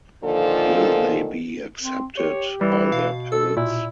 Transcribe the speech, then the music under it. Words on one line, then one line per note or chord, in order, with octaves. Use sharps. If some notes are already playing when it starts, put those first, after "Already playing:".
Will they be accepted by their parents?
A#2 D3 D#3 F3 A4
C4
G4 C#5
E3 G3
B2 F5
A4 E6
A#2 E4